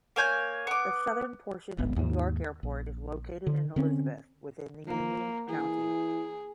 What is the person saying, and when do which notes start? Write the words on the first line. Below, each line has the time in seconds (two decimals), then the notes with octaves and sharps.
The southern portion of Newark Airport is located in Elizabeth, within Union County.
0.16 A#3 C#5 G#5 G6
0.67 B3 D6
1.78 D1 G#1 B3
1.96 D#2 G#2
2.63 A#1
3.47 D3
3.76 D3 C4 C#4
4.87 F3 A#3
5.49 E3 G#4